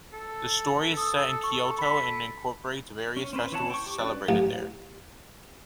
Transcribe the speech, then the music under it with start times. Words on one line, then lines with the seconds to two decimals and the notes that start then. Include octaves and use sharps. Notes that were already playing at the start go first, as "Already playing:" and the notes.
The story is set in Kyoto, and incorporates various festivals celebrated there.
0.13 A4
0.97 D#6 E6
1.44 C#6
1.79 B5 B6
3.17 C#4
3.33 C4 C#4 B4 C5
3.52 E3 E4 C#5 F#5 A5
3.70 G5 C#6
3.86 G4
3.99 C#4 D4 F#4 B4 D5
4.29 A1